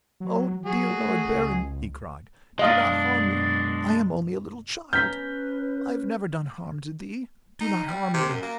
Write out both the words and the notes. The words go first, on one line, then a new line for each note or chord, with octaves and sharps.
"Oh! dear Lord Baron," he cried, "do not harm me; I am only a little child, I have never done harm to thee; do not harm me."
F#3
F#3 F#4 G#4
A3
C#2
F#2 B2 G#3 D4 D#5 F5 D#6
C#4 B4 A#5 F6 G6 B6
D#4
G3
C3
F#2
A#3